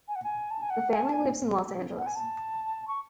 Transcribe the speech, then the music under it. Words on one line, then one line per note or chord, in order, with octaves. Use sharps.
The family lives in Los Angeles.
G#5
F#5
G#5
A5
G#5
F#5
G#5
A5
G#5
F#5
G#5
A5
C#6